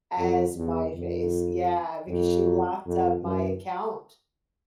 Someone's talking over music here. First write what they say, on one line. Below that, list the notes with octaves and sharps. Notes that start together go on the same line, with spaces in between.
as my face yeah, because she locked up my account,
F2
E2
F2
F2
F2
F#2